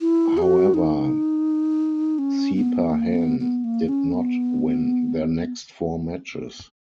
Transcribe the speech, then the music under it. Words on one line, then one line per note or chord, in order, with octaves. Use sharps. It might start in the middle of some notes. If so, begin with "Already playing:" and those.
However, Sepahan did not win their next four matches.
E4
G#4
F#4
D#4
C#4
B3
A#3
B3
B3
A#3
C#4
B3